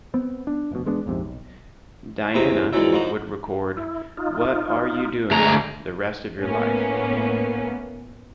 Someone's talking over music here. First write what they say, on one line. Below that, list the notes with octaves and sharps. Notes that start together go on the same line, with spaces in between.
Diana would record What Are You Doing the Rest of Your Life?
B3 C4
D4
F1 B2
E1 G#3 B3 D4
A#1 F2 G#2 C3
B1
E2 C3 C4 A#5 D#6
F2 G#2 D3 E3 F#3 E5
F#2 F3 D#4 F#4
E4
D#4 F4
D2 G#3 A3 G#4 A#5
A2 A#3 B3 C#4